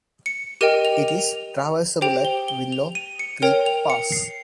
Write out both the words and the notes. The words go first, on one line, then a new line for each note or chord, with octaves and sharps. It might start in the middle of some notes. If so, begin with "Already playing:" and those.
It is traversable at Willow Creek Pass.
C#7
G4 A#4 D#5 G5 D#7
F7
F7
G4 C5 G5 F7
G7
G7
F7
D#7
C#7
A#4 C#5 G5 F7
F7
C#7
C7